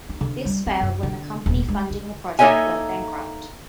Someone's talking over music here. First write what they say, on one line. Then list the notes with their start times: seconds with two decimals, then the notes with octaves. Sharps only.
This failed when the company funding the project went bankrupt.
0.09 D#4
0.21 D3
0.45 G3
0.66 C4
0.81 F#2
1.03 D3
1.46 D#1
1.68 G#3
1.90 D3
2.39 A#3 D#4 A4 C#5 E5 G#5